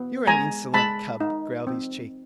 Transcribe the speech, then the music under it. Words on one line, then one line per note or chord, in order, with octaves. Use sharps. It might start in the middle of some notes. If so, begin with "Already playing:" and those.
"You are an insolent cub," growled his Chief.
Already playing: B3
G#3 G#5 A#5
G#3 A5 B5
D#4
C4